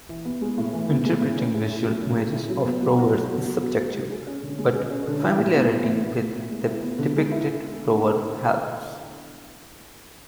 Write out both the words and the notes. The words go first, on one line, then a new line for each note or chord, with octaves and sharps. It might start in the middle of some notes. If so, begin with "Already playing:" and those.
Interpreting visual images of proverbs is subjective, but familiarity with the depicted proverb helps.
E3
B3
G#3
A2
E3
B3
G#3
A2
C#4
G#4
E4
F#3
C#4
G#4
E4
F#3
B3
F#3
F#4
F#3
B3
F#3
F#4
F#3
G#3
G#4
C#4
D3
G#3
G#4
C#4
D3
E3
A2
B3
A2
E3
A2
B3
A2
G#3
E4
B3
D3
G#3
E4